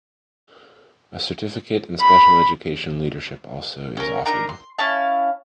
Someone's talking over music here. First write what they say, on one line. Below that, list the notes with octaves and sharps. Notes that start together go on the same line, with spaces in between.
A certificate in Special Education Leadership also is offered.
B5
C#4 A#4
D4 D#4 A#4 A#5
C6
C#4 E4 F5 A5